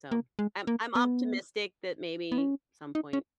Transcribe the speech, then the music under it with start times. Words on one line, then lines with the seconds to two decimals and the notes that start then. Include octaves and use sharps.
So I'm I'm optimistic that maybe some point
0.12 A#3
0.39 G#3
0.67 A#3
0.95 B3
2.32 B3
2.38 C#4
2.95 D#4
3.13 C#4